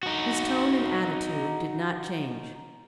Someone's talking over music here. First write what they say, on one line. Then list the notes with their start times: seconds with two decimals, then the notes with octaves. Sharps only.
His tone and attitude did not change.
0.03 D#4 F#4